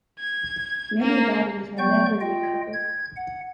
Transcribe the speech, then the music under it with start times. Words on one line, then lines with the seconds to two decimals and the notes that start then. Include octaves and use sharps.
Many bodies were never recovered.
0.20 G#6
0.99 A#3
1.78 F#3 B3 D5 G5 C#6 G6
2.21 F4 D#5 G5
2.73 G#6
3.17 F#5